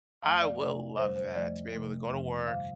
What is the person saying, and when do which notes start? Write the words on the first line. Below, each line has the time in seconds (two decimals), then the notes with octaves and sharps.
I will love that to be able to go to work,
0.22 F2 F3 A3 F5
0.41 D5
0.60 C3 A3 D5
0.97 F2 D3 G3 C5
1.16 C5
1.34 F2 F3 A3 D5
1.72 C3 F3 A3
2.10 F2 C3 F3
2.47 G2 D3 G3 F5